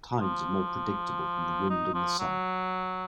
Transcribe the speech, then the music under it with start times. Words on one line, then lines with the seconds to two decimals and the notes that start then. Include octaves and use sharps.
Tides are more predictable than the wind and the sun.
0.21 F3
1.70 D#4
1.94 F3
2.19 F#3